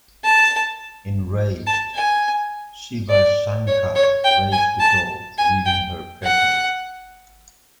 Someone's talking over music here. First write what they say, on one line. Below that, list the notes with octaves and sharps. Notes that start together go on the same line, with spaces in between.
Enraged, Shivashankar raped the girl, leaving her pregnant.
A5
A5
G#5
D5
C#5
C#5
G5
G#5
A5
G#5
G5
F#5